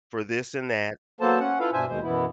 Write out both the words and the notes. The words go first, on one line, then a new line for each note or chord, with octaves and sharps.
for this and that,
F#3 A#3 B3 A4 C5 A5
C#4 F#5
E4 F4 A4 B4 F5
G2 B2 D4 C5 E5 G#5
D#2 B2 D#3 G#3 C5
F#2 B2 E3 B3 E4